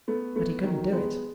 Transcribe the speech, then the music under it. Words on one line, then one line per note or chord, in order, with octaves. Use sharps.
But he couldn't do it.
A3 B3
A3 B3
D#3 F#3
G#3 B3